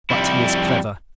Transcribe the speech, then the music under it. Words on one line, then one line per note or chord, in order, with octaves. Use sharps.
But he is clever.
F2 G3 E4